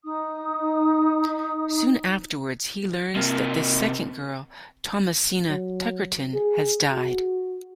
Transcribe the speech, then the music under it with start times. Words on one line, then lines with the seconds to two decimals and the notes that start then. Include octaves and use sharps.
Soon afterwards he learns that this second girl, Thomasina Tuckerton, has died.
0.05 D#4 D#6
3.17 C3 A#3
5.49 F#3
6.34 G#4
6.92 F#4